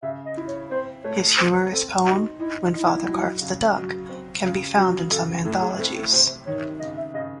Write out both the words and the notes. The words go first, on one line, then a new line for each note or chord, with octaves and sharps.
His humorous poem, "When Father Carves the Duck", can be found in some anthologies.
C#3 E5
D#5
E4
C#5
C4 C5
A3 C#5
C4 C5
C4 A4
D#4 F#4
D#4 E4
D#4 E4
F#3
C#3
F#3
C4
C#3
F#3 F#4
C#3 A4
A2 A4
G#4
C4 A4
A4
C3 C5
D#3 C#5
C#3 D#5
E5
C#3 D#5